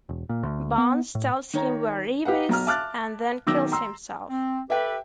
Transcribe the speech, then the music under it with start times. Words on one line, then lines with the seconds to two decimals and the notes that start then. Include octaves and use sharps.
Barnes tells him where Eve is and then kills himself.
0.09 E1
0.29 A#2
0.43 D2
0.78 B3
1.15 A2
1.54 D#3 C#5 A#5
2.25 G4 B4 F5 F#5
2.49 B1 A#5 F6
2.66 E5 A5 D6 F6 F#6 A6
3.47 B1 D#3 D6 E6 A#6
3.72 A#5 C6 E6
4.30 C4
4.70 G4 A4 B4 E5 G5